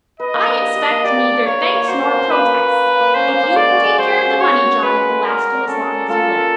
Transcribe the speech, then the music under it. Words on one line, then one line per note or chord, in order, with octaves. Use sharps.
"I expect neither thanks nor protests. If you take care of the money, John, it will last you as long as you live."
B4 D#5
A#3
D4
G4
G4
A#3
G4 D5
G4
D4
A#3 C#5
B4
A#3
F#4 C5
A#3
C#4
A#3 B4
A#3
A#3
A#3
A#3
A#3
C#4 C5
A#3
A#3
G#3 D5
F#4
G#3
G#3 C5
F#4
C#4
F#4 C#5
F#4
C#4
G#3 B4
G#3
G#3
A#4 D5
D5
D5
C#4 A4
A#4
D5
F4 A4
F4
A#4